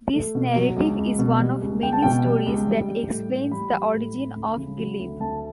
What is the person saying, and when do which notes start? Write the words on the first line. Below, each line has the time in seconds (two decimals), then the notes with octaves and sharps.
This narrative is one of many stories that explains the origin of Gelebe.
0.13 A3
0.35 B2
0.56 F#3
0.76 C#2
0.98 C#2
1.19 B2
1.40 G3
1.61 C#2
1.82 C#2 G5
1.92 A5
2.02 B2 G5
2.24 G3
2.46 C#2
2.67 G3
2.88 G3
3.09 A2
3.30 A2
3.51 G3 B5
3.72 G3
3.93 A2
4.14 A2
4.36 D2
4.57 C#3
4.78 F#3
4.99 D2
5.20 D2 A5